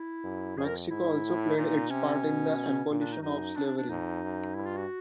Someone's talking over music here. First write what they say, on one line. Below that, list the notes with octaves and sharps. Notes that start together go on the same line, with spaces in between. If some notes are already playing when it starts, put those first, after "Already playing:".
Mexico also played its part in the abolition of slavery.
Already playing: E4
F#2
F2 G#4
A#4
G#2 E4
A2
A#2 D#4
C3 C#4
B2
A#2
D4
D#4
F#2 D#4
D4
D4
D4
F2 D#4
F#2
G2 E4
F4
F#4